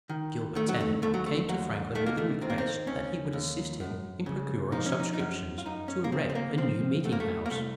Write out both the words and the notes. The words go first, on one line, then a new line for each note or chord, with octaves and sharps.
Gilbert Tennent, came to Franklin with a request that he would assist him in procuring subscriptions to erect a new meeting-house.
D#3
D#3 A3
F#3
A3
D#2 A3
F#3
A3
D#2 F#3
D#3 A3
A#3
A3
D#3 C4
A#3
C4
D#2 C#4
D#2
F#2
C#3
F3 D#4
C#4
D#4
D#4
F#2 C#4
F4
F#2 D#4
C#4
A#3
C#3 C4
C4
A#3
F3 C4
F#2 A3
A#3
A3
A#3
C2 A3